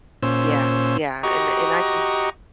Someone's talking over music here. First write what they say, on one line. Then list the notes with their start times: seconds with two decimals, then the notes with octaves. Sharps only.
Yeah, yeah, and and I can
0.23 A#2 C#4 C5 E6
1.23 F#4 G4 D#5 A#5 C#6